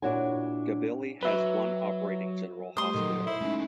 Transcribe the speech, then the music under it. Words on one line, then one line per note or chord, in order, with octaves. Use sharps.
Gabiley has one operating general hospital.
A#2 D4 E4 F#4 C#5 G#5
F#3 B4 E5
G3 A3 G4 C5 C6 D#6
A#2 D#3 F#3 A4
E4 C5
G#3 A3 C#4 D#4